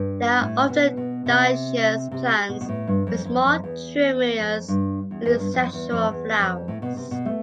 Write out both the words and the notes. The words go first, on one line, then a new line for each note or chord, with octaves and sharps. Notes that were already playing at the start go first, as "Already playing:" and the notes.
They are often dioecious plants, with small, trimerous, unisexual flowers.
Already playing: G2
A2
B2
B2
C3
C3
B2
B2
A2
G2
F2
F2
F2
E2
F2
G2
E2
E2
G2
F2
E2
F2
E2
F2
A2
B2
C3
B2
A3